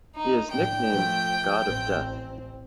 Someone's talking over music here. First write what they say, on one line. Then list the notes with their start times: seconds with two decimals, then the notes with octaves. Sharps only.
He is nicknamed "God of Death".
0.16 D#4
0.51 A2 D4 G5
0.90 F3 A3
1.65 A1 C4